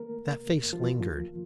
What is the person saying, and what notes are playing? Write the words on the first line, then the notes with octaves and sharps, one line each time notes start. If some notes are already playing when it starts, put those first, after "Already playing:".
That face lingered.
Already playing: D#3 A#3 A#4
A3
C3
F2
D#3 F3 F4